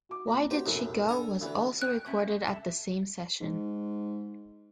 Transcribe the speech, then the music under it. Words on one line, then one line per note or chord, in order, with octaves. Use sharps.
"Why Did She Go" was also recorded at the same session.
F#4 D6
A#2 A#5
D#4 F#4 G4 C5
F1 B1 F#2 A2
D4 A4 G#5 A#5
D2 E3
B2 G5 F#6
B2 C#4 E5
C3 A4 E5
G#2